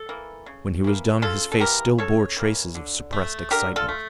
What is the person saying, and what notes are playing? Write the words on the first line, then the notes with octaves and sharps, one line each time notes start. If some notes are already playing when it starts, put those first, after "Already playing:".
When he was done his face still bore traces of suppressed excitement.
Already playing: A4
E3 A#3
C#3
E3 A#3
C#3 F4 A4
A4
E3 A#3 G4 A#4
C#3 A4 C#5
E3 A#3
D3
A3
D3 G4 A#4
F4 A4
A3